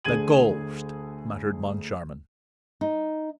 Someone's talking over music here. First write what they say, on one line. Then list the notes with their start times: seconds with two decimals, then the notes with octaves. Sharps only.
"The ghost!" muttered Moncharmin.
0.05 D2 D3 G#4 G#6 D#7 F#7
2.81 D#4